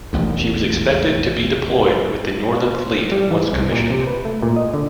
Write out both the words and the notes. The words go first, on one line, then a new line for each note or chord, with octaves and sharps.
She was expected to be deployed with the Northern Fleet once commissioned.
E1 A1 D#2
F4
C5
G3
E3
C2
A#2
C3
B4
A3
A#2
D#5
D3